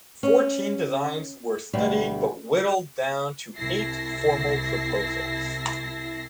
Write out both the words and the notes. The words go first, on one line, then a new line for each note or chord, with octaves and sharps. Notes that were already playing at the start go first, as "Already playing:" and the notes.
Fourteen designs were studied, but whittled down to eight formal proposals.
C#4
D2 B2 G3
C2 E4 A5 A#6 C7